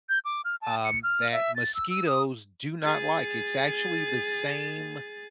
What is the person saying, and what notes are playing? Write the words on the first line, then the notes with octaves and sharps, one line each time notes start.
um, that mosquitoes do not like. It's actually the same,
G6
D6
F6
A5
C#7
F6
E5
A6
E6
E6
D#6
G#4 A6